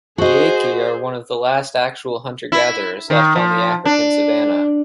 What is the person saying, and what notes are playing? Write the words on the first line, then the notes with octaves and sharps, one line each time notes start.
The Akie are one of the last actual hunter-gatherers left on the African savanna.
F#4 G#4 C5 D#5
E4
D#3
F3
D4